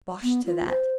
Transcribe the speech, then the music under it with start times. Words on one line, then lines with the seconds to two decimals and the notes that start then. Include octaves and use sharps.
"Bosh to that!"
0.23 B3
0.46 F4
0.69 C5